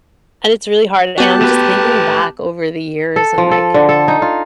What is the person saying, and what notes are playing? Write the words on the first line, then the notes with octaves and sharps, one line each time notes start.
And it's really hard, and I'm just thinking back over the years and like
B3 F#4 G4 A5 F#6
A3 B4
A4
F3
A4
D3
A4
D#4
F4